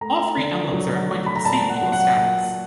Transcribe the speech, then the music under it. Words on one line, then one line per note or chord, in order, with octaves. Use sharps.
All three emblems are appointed the same legal status.
A3 A#5
D3
F#3
A3
B5
A#5
A#2 A5
F#5
F#3
F#5
A#2